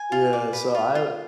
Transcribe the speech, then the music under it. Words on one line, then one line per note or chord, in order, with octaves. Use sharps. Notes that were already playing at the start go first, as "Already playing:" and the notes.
yeah, so, I, w
Already playing: G#5
F4
D5
B4
F4
F4